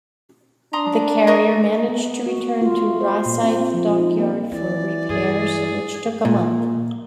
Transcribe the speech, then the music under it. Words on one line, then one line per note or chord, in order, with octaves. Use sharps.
The carrier managed to return to Rosyth Dockyard for repairs, which took a month.
D4 A#5 C6 D#6
A#4 D#5 C#6
B3
F#4
F4
A3
C5
A#2
C4
F3
D#4
A#3
E3 C4 D5
G2 G#4
A#2